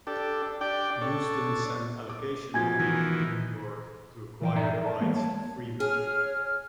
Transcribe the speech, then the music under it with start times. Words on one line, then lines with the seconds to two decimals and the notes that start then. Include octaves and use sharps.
Houston sent allocation money to New York to acquire the rights to Freeman.
0.07 D4 G4 A4
0.61 D4 G4 D5 G5
1.01 D4 A4 C#5
2.09 D6
2.54 B2 F3 G#5 G#6
2.80 D#3 E3
4.41 C2 E3 F3 D5 D#5 G5
4.55 G2 D#4 D5 E5 A#5
4.73 A#4
4.86 D5 A5
5.01 E3 G3 G#3 A#3 B3
5.15 A#3 C#5 A5
5.80 G#4 C#5 F6